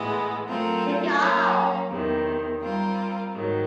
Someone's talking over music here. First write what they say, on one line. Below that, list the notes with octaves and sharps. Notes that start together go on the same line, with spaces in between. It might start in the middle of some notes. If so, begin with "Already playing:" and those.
Take it off!
Already playing: A2 E3 G#3 B3
F#3 A3 C4 F4 A#4
F#3 A#3 C#4
E2 C3 D#3
G3 C4 F4 A#4
G#2 D#3 F#3